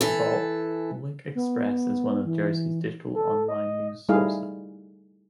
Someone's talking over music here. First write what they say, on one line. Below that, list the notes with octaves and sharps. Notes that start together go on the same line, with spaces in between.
Bailiwick Express is one of Jersey's digital online news sources.
E3 A4
B3
E3
A4
D#5
G3 A3 D#4 E4 G#4 F5